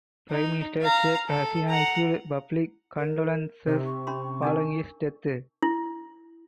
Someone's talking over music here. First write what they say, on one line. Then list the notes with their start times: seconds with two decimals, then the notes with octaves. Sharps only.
Prime Minister Sheikh Hasina issued public condolences following his death.
0.30 D#4
0.82 F5 A#5
1.28 A4
1.69 F#5 A#5
2.97 A#4
3.67 C3 D#4
3.85 C#6
4.07 C#4 B5 C6
4.42 D4 D#4 A#4
5.63 E4